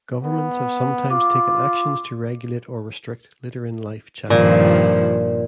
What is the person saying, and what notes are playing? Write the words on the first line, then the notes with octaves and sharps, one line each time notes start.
Governments have sometimes taken actions to regulate or restrict later-in-life childbearing.
B3
F4 D6
G2 A#2 D#3 F3